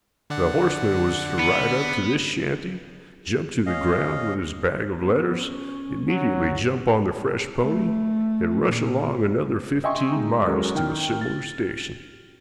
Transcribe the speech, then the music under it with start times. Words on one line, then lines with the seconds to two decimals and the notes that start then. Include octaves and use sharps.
The horseman was to ride up to this shanty, jump to the ground with his bag of letters, immediately jump on the fresh pony, and rush along another fifteen miles to a similar station.
0.30 D3 D5 F#5
1.39 B3
3.66 C#4 D#5 F5
4.99 B3
5.35 C#4
6.08 F#3
6.44 G1
7.62 A3
8.65 A#2
9.84 D#5 E5 G5 G#5 C6 C#6
10.12 G#3 D#4
10.46 F#3 G#3 C#4 F#4 A4 A#4
10.75 D#3 G5 F6
11.21 A6